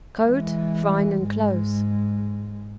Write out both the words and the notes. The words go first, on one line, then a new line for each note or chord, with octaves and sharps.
COAT--Fine and close.
E3 G#3
G#2 G#3